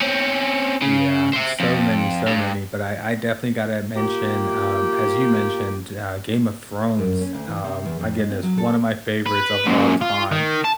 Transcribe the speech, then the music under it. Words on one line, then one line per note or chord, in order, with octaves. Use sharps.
Ooh yeah it's so many, so many, but I I definitely gotta mention, um, as you mentioned, uh, Game of Thrones, um, my goodness, one of my favorites of all time.
C4 C#4
C#3
C5 E5
F2
G2
A#3 F4 G4
F#2
C#4
D2
E3
C3
E2
F2
G#3
C4
F#3
A4
B4
F#2 A#2
F4
D#3
A5